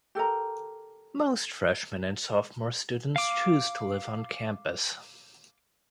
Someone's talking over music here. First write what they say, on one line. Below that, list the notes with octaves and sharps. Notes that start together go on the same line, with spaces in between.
Most freshman and sophomore students choose to live on campus.
G4 A4 A#4 A#5
F5 D6